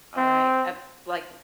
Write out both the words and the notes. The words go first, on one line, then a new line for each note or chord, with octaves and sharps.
All right. Uh like,
C4